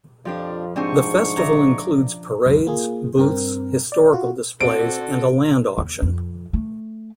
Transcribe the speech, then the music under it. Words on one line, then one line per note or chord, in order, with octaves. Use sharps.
The festival includes parades, booths, historical displays, and a land auction.
F2 F3 D4 G4 D5
G#2 G3 C4 D4 G#5 C#6
C#3 D5 E5 A#5
C#2 F#2
A#3 F4 G#4
G2 C4 A#4
D5
F4 F#4
C4 F#4 A4 D5 D7
E2
F2
A3